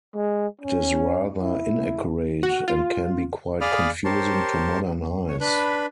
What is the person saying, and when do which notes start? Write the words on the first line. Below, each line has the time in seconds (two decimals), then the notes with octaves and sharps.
It is rather inaccurate, and can be quite confusing to modern eyes.
0.16 G#3
0.61 C#4
1.42 E4
2.43 F#4
2.68 F4
3.61 G#4 D5 F5 B5 D#6 F6
4.05 G4 A#4 C5 C#5 A5 C6
5.29 C#5
5.40 D4 B4 B5